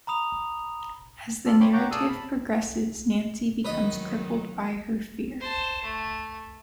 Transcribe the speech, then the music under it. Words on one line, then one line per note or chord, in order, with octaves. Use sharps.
As the narrative progresses, Nancy becomes crippled by her fear.
A#5 B5 D#6 F7
F4 A4 D5
C5 C#5 G5 B5 C6 D6
C#5 F#5 G5 A#5 D6
G#4 A4 D5 F5 D#6 E6
A5 B5
D#3 F#3 B4 D#5
C5 A5
A3